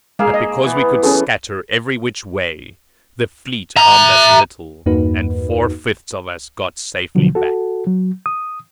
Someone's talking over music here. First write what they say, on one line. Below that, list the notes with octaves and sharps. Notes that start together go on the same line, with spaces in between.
But because we could scatter every which way, the fleet harmed us little; and four-fifths of us got safely back.
G#3 A#3 G#4 F5
D#5
E3 B3
B3 C#4 G#4 A4
E5 A#5
E2 G2 A#3 D#4 F#4 B4
B2 D3 F3 F#3
F#4 A4
F#3
D#6